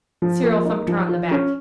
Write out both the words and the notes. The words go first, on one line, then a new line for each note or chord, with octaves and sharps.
Cyril thumped her on the back.
F3
A#3
D#4
F3
F4
C#4